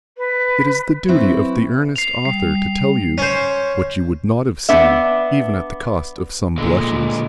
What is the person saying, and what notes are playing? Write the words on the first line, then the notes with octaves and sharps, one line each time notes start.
It is the duty of the earnest author to tell you what you would not have seen--even at the cost of some blushes.
B4
F#3 B3 C4 E4 F#4
C7 F7
G3 C7
C#4 C5
B3 D4 E5
A#2 D3 G#3